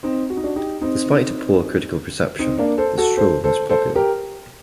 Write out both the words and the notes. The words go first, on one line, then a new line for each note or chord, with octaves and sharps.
Despite a poor critical reception, the show was popular.
C4 D#4
F#4
D#4
D4 F#4
D#4 G4
C4 D#4
C4 D#4
A#3 D4
A4 C5
F#4 A4
A4 C5
A4 C5
A4 C5
G4 A#4